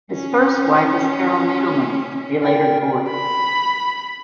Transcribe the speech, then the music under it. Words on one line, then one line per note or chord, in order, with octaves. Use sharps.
His first wife was Carol Needelman; they later divorced.
C#4
A#4 D5 G5
B5